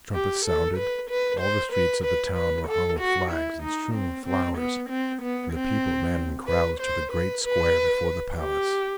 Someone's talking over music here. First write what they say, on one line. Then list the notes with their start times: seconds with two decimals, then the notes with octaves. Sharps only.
The trumpets sounded, all the streets of the town were hung with flags and strewn with flowers, and the people ran in crowds to the great square before the palace.
0.14 G4
0.45 A4
0.77 B4
1.10 B4
1.40 C5
1.72 B4
2.04 B4
2.36 B4
2.68 A4
3.00 F#4
3.31 E4
3.63 D#4
3.95 C4
4.26 C4
4.57 B3
4.89 C4
5.22 B3
5.52 C4
6.48 B4
6.80 C5
7.12 B4
7.44 B4
8.38 G4